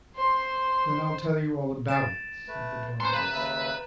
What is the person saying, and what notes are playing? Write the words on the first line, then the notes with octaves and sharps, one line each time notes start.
"Then I will tell you all about it," said the Dormouse.
C5 C6
A6 D7 E7
A3 B4
C#4 B4 C5 A#5 C6 C#6
F#2 C#3 A#3 B4 G6 E7
D#2 C#3 E5